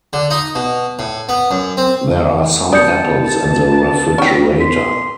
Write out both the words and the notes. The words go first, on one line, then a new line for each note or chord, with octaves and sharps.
There are some apples in the refrigerator.
D3
D#4
B2
A2
B3
F#2
C4
B3 D5 A5 D#6 G6 C#7
C#4 G5
C6 B6